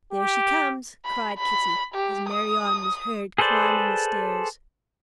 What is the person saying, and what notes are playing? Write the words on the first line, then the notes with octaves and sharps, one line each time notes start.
"There she comes," cried Kitty, as Marianne was heard climbing the stairs.
G4
B5
B5
G4
D#6
G#4 A4 B4 C5 D5